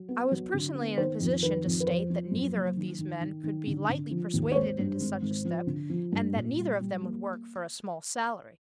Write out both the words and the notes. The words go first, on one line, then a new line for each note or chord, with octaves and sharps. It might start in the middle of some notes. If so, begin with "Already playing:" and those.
I was personally in a position to state that neither of these men could be lightly persuaded into such a step, and that neither of them would work for a small salary.
Already playing: F#3
B3
F#3
D3
B3
D#3 C5
F2
D#3 B4
F2
B4
F3 C5
F3
F#2
F#1
D#3
D#3
D#3
D#3
D3
D3
F3
D#2
C#5
G#1 C5
G2
G#1
G#1
F3
D3
F3
G2
A#2
G3
G3
A#3